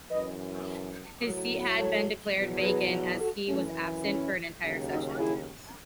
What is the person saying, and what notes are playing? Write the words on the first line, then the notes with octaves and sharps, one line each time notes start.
His seat had been declared vacant as he was absent for an entire session.
F#2 E3 B4 D#5
A2 F#3
A4 C#5
E2 B2 F#3
G#4 B4
F#4 A4
F#2 E3 A3 C#4
C#4 E4
D#2 C#3 F#3
D#4 F#4
E4 G#4